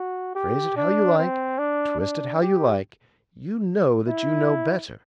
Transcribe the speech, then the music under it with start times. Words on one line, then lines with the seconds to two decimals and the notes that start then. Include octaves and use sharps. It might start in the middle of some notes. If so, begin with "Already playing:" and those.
Phrase it how you like, twist it how you like, you know that you know better.
Already playing: F#4
0.35 G4
0.77 D4
1.18 C4
1.58 D4
2.00 D4
2.42 G4
4.08 E4